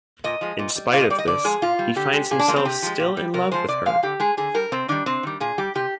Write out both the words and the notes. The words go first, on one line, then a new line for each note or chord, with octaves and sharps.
In spite of this, he finds himself still in love with her.
A#2 D#5
F3 G#3
A#2
G3
A#2 F5
D#5
G3 D5
D#5
D3 D5
F3 G#3 G#4
A#2 F4
G3
D3 G4
G#3
A#2 G#4
D4
F3 G#3 A#3
C4
C3 G4
F3 G#3
A#2
G3
C3 A#4
F3 G#3 C5
C3 D5
F3 G#3 F5
D3 G4
G#3 G#4
D3 G#4
G3 A#4
C3 C4
D#3 G3 D4
C3 C4
D#3 G3
A#2 G#4
G3 G4
C3 G4